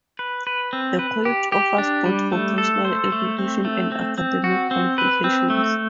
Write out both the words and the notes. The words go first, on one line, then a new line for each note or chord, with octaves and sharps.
The college offers both vocational education and academic qualifications.
B4
B4
C4
B4
G4
G4
D4
G3
A3
A4
C5
A3
C4
A3
C4
C4
F#4
C4
B4
C4
A3